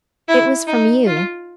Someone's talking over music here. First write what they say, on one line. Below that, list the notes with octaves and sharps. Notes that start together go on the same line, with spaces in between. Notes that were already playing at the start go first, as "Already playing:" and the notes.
It was from you!
E4
D#4
F4